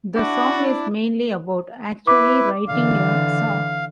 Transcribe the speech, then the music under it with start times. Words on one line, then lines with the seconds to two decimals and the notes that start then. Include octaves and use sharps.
The song is mainly about actually writing a song.
0.15 D4 E4 F#4 D5
2.07 E4 B4 D6
2.68 D3 E3 F5